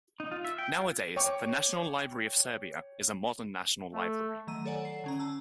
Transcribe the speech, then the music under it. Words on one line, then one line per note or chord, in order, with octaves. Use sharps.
Nowadays, the National Library of Serbia is a modern national library.
D#4
F4
E5
G5
F4
C#5 G5 C#6 D6
A3
D#3 F#3 A3 A#5 E6 D#7
A4 C#5 D5 F#5 G#5
C7
D3 C#4 A#5
A5 A#5 E6